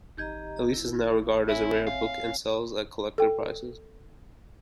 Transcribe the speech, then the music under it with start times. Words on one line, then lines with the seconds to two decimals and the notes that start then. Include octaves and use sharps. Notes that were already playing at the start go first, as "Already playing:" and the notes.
"Elise" is now regarded as a rare book and sells at collector prices.
0.17 G#1 D#4 G4 D#5 A#5 G6 G#6
0.74 E4
1.48 C4 E4 C#5 E5 G#5
1.87 F5
3.18 A4 G5